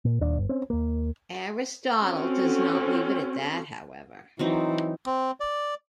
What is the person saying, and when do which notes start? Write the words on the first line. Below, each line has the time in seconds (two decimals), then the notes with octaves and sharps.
Aristotle does not leave it that, however.
0.05 A#2
0.21 D#1 D#2 D4
0.37 G1
0.49 C4 C#4
0.70 D#2 A#3
2.01 C4 C#4 F#4 A4
4.39 E3 F#3 C4 D#4
5.06 C4
5.40 D5